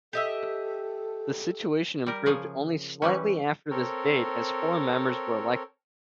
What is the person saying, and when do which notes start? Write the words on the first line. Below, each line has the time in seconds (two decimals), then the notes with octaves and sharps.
The situation improved only slightly after this date, as four members were elected.
0.13 G4 A4 D#5 E5
2.07 G3 A#4
2.26 C#3 F3 G#4
3.02 E3 G3 C#4
3.71 C4 A4 A#4 C#5